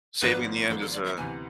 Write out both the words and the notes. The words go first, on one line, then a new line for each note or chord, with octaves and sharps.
saving in the end is a
G#1 G#2 F3 B3 D4 B4
G#1 G#2 F3 B3 D4 A4
A4
D5
E5
D2 C3 E3 B3 G#5